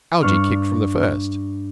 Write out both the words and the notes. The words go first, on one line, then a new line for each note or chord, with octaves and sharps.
Algie kicked from the first.
G2 D4 C#6 F6